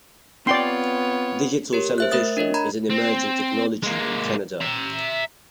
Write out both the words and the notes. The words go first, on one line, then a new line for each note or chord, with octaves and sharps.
Digital television is an emerging technology in Canada.
B3 C4 F4 C#5 D5 G5 C6
G4 A#4 C#5
C5 E5 F#6
A3 A#4 E5 D#6 A6
D4 A#4 C#5 D#5
A#5 B5 G#6
C4
G#3 A#3
E5 A#5